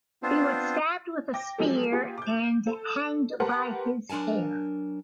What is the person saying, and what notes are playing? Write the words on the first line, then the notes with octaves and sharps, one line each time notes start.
He was stabbed with a spear and hanged by his hair.
B3 C4 D4 F4 C5
G5 D6 A#6
F3 F#3 G#3 G4 A4
A#3 F4 G4 G#4
D6 G6
A4
G4 A#4 B4 F#5 A5 C6
F#3 D4 A#4 G#5 A5